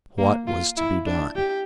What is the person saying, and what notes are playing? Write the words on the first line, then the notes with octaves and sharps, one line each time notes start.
What was to be done?
A#3
F4
E4
D4
G4